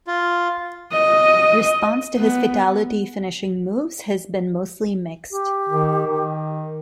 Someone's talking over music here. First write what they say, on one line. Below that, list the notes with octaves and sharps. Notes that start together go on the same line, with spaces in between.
Response to his Fatality finishing moves has been mostly mixed.
F4
D#5
B3
G4
D#3
D#3